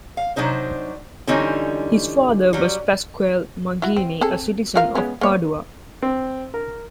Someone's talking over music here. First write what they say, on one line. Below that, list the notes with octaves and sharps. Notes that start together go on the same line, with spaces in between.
His father was Pasquale Magini, a citizen of Padua.
F5
C3 F#3 D4 D#4 C5
D3 E3 G3 C4 C#4 D#4
F#3 G3
E4 F#4
C4
C4 G#4 A4
F4 A#4 F5
G#3 B3 C#4
A#3 B3 C#5
C4
A#4